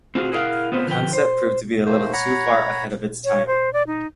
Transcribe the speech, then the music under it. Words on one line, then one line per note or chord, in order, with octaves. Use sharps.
The concept proved to be a little too far ahead of its time.
C4 F4 F#4 G#4
E4 G#4 A#4 D5 F5 F#5
B3 C4 F4 B4 C5
D3 F3 B4 G5
C5
D#2 C3 D#3 A3 A#3 C5
C#5 F#5 A#5 B5
C#5
C5
D5
D#4